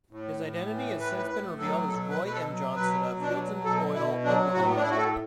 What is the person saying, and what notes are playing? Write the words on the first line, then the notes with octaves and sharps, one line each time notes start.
His identity has since been revealed as Roy M. Johnson of Healdton Oil, Oklahoma.
A2
A2
E3
A2 B4
B4
A2 B4
F#3 A4
B2 A4
B4
B2
B4
A4
F#3
B2 B4
B2
D4
F#3
B2 A4
B2 E4
F#3 D4
A2 F#4
B3
D4
A2 E4
F#4
A4